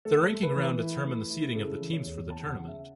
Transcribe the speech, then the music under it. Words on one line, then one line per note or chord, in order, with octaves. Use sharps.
The ranking round determined the seeding of the teams for the tournament.
A3 A4
A3
B4
E3
E4
A3
E4
C#3 A4
E3
C#5
E2
E2 A5
F#5
C#3
E5